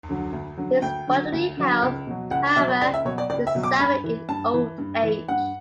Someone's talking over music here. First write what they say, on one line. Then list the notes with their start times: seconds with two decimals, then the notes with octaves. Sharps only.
His bodily health, however, did suffer in old age.
0.09 D3 F#3
0.33 D2
0.57 D3 F#3
0.82 D2 G5
1.07 D3 F#3
1.32 D2
1.57 D3 F#3
1.82 C#2
2.07 B2 F#3
2.31 C#2 F#5
2.56 B2 F#3 E5
2.68 C#5
2.81 C#2 D5
2.94 E5
3.05 B2 F#3 C#5
3.18 D5
3.30 C#2 D5
3.47 E5
3.55 B2 F#3
3.63 D6
3.79 G2 B5
4.04 E3
4.29 G2 A5
4.54 E3
4.78 G2
5.03 E3
5.28 G2 F#5